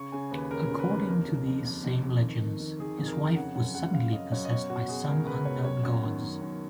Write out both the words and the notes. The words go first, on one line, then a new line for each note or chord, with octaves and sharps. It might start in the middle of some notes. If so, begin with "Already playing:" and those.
According to these same legends, his wife was suddenly possessed by some unknown gods.
Already playing: C#3 C#6
C#3 G#5
D#2 B4
C#3 A#4
C#3
B4
D#2
F2 A#4
C#3
F2
F2
F2
F2
D#3
D#3
D#3
D#3 G#4
F2
A#4
F2
C#3 F#5
F#2 F#5
C#3 F#5
F#2 F5
F#2 D#5
F#2 C#5
D#5
B2 C#5
B2 F#4
B2 G#4
C#2 A#4
C#2 B4
B2 C#5
F#2 C#5
F#2
D#3
F#2
F#2